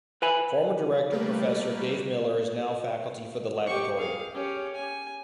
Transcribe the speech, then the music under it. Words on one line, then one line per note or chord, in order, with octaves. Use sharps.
Former director Professor Dave Miller is now faculty for the laboratory.
B4 E5 G#5 B5
G3 A3 A#3 G4 A#4 B4
G4 C#6
G#4 F5
C#4 G4
G#5